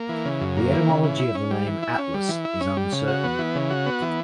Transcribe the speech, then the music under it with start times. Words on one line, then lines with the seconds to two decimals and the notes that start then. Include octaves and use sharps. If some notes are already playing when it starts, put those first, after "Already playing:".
The etymology of the name "Atlas" is uncertain.
Already playing: A#3
0.09 E3
0.25 C#3
0.41 F#2
0.57 A#3
0.72 E3
0.89 C#3
1.04 E3
1.20 E4
1.35 C#4
1.51 G3
1.67 E3
1.83 E4
1.98 C#4
2.14 G3
2.29 E3
2.45 E4
2.61 C#4
2.77 G3
2.92 C#3
3.08 F#4
3.24 B3
3.39 E3
3.55 C#3
3.70 F#4
3.86 B3
4.02 E3